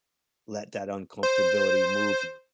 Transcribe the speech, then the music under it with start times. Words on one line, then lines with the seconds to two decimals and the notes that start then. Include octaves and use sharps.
let that un-comfortability move you.
1.23 C5